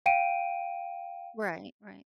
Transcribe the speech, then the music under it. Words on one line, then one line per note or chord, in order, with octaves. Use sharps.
Right, right.
F5 G5 D7 D#7